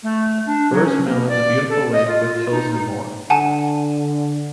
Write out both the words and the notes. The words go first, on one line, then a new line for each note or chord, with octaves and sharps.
Burrs Mill is a beutiful lake with hills and more.
A3
D4
F#3
C#4
A#3
D5
A4
D#5
F4
F4
D#4
D#4
D3 F#5 G#5 A5